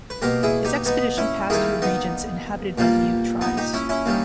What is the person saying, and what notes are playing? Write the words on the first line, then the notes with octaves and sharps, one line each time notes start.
His expedition passed through regions inhabited by the Ute tribes.
B4
B2 A#3 G4 A#4
E4 G#4
D#4 G4
B3 D#4
C#4 E4
D#3 G3 A#3 E4 G#4
B3 D#4
A#2 G3 A#3
B3 D#4
D#4 G4
C#4 E4
C#4 E4
D#3 G3 A#3